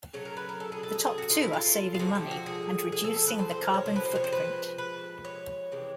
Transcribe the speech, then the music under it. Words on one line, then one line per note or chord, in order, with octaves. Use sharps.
The top two are saving money, and reducing the carbon footprint.
C#3 F#3 A3 C#5
A#4
B4
A#4
A4
G#4
A4
G#4
G#4
F#4
F4
E4
F4
F4
D3 F3 G#3 F#4
G4
F#4
G#4
G#4
A4
A4
B4
C5
C5
A#4
C#5
C3 F3 G#3 C5
B4
C5
C#5
C5
B4
B4
C#5
C3 E3 G#3